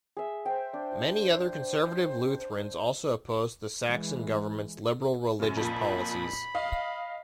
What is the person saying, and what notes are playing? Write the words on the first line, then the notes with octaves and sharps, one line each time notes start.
Many other conservative Lutherans also opposed the Saxon government's liberal religious policies.
G#4 E5
C5 G5
D4
E3 G#3
F#2 C#3
F2 A#2 B5
D#5 F5